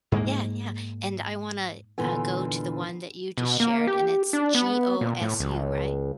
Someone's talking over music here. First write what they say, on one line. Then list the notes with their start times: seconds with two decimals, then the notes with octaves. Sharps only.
Yeah, yeah, and I wanna, uh, go to the one that you just shared, and it's G-O-S-U, right?
0.12 G#2 G#3 A#3
1.98 D#2 A#2 D3 E3 B3 G#5
3.37 B2
3.60 A#3
3.87 G4
4.33 D4
4.55 B3
5.01 A#2
5.22 A2
5.40 C#2